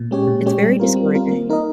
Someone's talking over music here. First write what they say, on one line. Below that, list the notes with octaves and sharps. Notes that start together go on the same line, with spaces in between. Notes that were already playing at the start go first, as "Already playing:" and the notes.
It's very discouraging.
Already playing: A#2
G#3 C#4 G4 C#5
A#2
G#3 C#4 G4 C#5
G3
C4 F4 A#4
G3
C4 F4 A#4
A#3
D#4 A#4 D#5